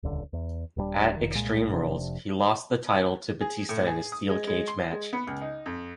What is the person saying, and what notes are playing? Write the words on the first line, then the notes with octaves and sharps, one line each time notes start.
At Extreme Rules, he lost the title to Batista in a Steel Cage match.
D#1 C#2 D3
E2
D#1 G2 G3 D4
F1 D#3
C2 A#2 G#3
F1 C3 F3 D4
G#4
A2
G#4
D#6
G#3
G#3
C6
G#3
B3
C#2
D#4
F2